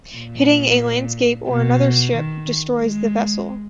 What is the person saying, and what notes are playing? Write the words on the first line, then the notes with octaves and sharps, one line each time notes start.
Hitting a landscape or another ship destroys the vessel.
A#2
B2
D#3
G#3